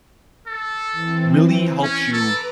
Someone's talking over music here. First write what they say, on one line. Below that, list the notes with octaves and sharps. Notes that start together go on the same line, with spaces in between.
really helps you
A4
E3 C4
C#4
A4 B4 A#5 D6